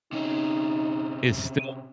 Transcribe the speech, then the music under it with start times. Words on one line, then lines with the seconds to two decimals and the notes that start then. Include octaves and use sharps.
is still
0.13 C3 C#4 D#4